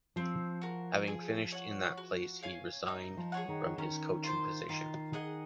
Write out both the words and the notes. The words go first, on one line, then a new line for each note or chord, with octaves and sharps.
Having finished in that place, he resigned from his coaching position.
F3 C4
F#4 A#4
G#4
C#5 F#5
F#4
C#5 F5 G#5
D#4
F3
G#4 C#5 F#5
D#3
D#3 C#4
F4 C5
D#3 F4
G#4 D#5 F#5